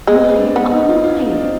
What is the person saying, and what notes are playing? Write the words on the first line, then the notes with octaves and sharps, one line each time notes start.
"Mine, all mine!"
G#3
B3
C4
D4
B3 D#4
D#4
F4
F4
D#4
D4
C4